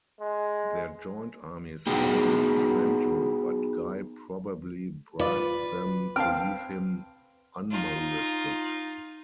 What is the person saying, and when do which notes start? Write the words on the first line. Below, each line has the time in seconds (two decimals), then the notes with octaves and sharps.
Their joint army surrounded Trento, but Guy probably bribed them to leave him unmolested.
0.21 G#3
1.87 B3 D#4 F#4 G#4 G5
5.19 F4 B4 D5
6.16 C4 F5 G5 A5 F6
7.71 D#4 F4